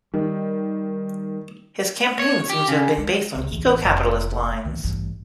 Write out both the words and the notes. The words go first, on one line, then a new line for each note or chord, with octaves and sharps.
His campaign seems to have been based on eco-capitalist lines.
D#3 G3
C#5
G4
C#3
G#3
C#2
A1 E2
F1
A2 E3
A1 G2